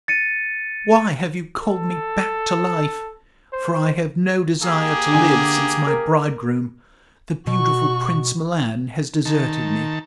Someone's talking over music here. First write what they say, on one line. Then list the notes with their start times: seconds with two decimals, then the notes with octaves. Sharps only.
'Why have you called me back to life? For I have no desire to live since my bridegroom, the beautiful Prince Milan, has deserted me.'
0.08 A6 C#7 D#7
1.62 A4
3.53 C5
4.62 A#3 G4 G#4
5.13 D3 G#5
5.87 A#4
7.47 B2 F#4 C#6
9.25 D#3 A5